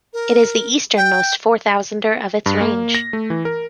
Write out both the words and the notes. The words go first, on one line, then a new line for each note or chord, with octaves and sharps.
It is the easternmost four-thousander of its range.
A#4
G5
G2
A#3
A#6
A3
E3
A#4